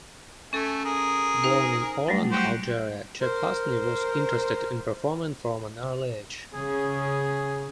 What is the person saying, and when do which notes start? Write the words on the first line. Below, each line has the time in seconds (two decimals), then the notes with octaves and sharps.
Born in Oran, Algeria, Cheb Hasni was interested in performing from an early age.
0.53 A3 C#4 A4 G#5
0.85 G#4 A#4
1.44 D#4 C5
2.08 F#3 G3 A3
2.32 F#4 G4 C5
3.21 A#4 C5
6.54 C#3 G#4